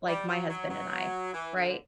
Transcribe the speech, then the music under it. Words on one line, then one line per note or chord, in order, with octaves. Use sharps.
like my husband and I, right?
G3
F#3
F#3
F#3
E3
D3